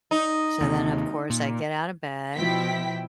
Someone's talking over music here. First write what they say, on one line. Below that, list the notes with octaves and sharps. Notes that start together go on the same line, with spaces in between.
So then of course I get out of bed
D#4
D#2 C3
A#2
B2 F3 E4 G5 B6